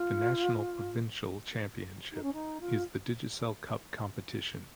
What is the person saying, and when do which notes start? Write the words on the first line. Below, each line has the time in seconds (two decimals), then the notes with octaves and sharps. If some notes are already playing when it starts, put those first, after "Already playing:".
The national provincial championship is the Digicel Cup competition.
Already playing: F4
2.11 D#4
2.22 C#4
2.33 D#4
2.60 F4